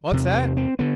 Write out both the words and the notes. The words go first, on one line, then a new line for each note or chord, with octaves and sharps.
"What's that?"
E2 C3
C4
C4
D3 B3